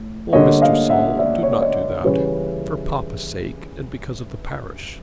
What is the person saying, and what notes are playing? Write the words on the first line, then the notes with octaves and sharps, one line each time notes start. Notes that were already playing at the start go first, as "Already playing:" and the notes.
"Oh, Mr. Saul, do not do that--for papa's sake, and because of the parish."
Already playing: A2
D3 G3 A#3 C#5 D#5
D#5 F5
E5 F#5
D5 E5
C#5
D5
C#5 D#5
C#3 E3 G3 B4 C#5